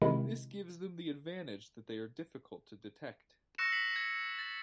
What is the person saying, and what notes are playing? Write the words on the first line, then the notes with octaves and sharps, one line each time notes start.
This gives them the advantage that they are difficult to detect.
C3 D#3 G#3 E4
C#6 E6 F#6 A#6 C#7 E7
B6 C7 F#7
G#6
A6